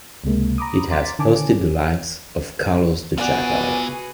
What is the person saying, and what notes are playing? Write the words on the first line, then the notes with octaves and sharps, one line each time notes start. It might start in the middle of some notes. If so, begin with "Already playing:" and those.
It has hosted the likes of Carlos the Jackal.
C#2 C3 G#3 A#3
A#5 B5 D6 D#6
A#5 C6 D6 A6 B6
D3 D#3 G#5 A5 D6
G#4
B3 F4 F#4 G#4 B4 D5 F#5 G#5